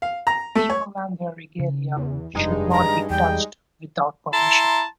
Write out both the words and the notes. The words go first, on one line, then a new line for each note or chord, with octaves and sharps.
People and their regalia should not be touched without permission.
F5
A#5
A3
C#5
C#3
E2
F1 G2 G#3 D#4
A#5
E2 G3 G5
E4 A5 A#5 C6